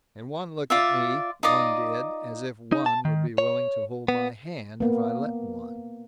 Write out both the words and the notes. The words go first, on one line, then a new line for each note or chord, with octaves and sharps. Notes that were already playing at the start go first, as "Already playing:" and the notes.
And one looked at me, one did, as if one would be willing to hold my hand, if I let one.
F4 D5 E5
D#4 F4 D5 D#5
D#4
A5
D#3
C#5
B3
A#3 B3